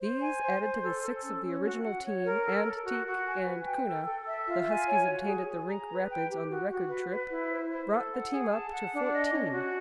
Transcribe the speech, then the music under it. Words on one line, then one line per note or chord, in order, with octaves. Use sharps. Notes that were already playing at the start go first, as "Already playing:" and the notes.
These, added to the six of the original team, and Teek and Koona, the huskies obtained at the Rink Rapids on the record trip, brought the team up to fourteen.
C5
G#5
C5
C5
A4
A4
C#4
C#4
F#4
F#5
C#5
A#4
A4
A4
F#4
F#4
G#5
B4
G5
A4
A4
E5
F4
G#5
C#5
F#4
G#4
G#4
A#5
B4
G5
G4
F#4
F#4
B4
B4
E4
C5
C5
A4
F#5
G#4
A5
F#5
D4
D#5
C#4
F#4